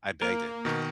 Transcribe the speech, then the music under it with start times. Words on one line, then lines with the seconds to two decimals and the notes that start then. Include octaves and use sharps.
I begged him. "Ca
0.22 A#3 A#4
0.65 B2 D#3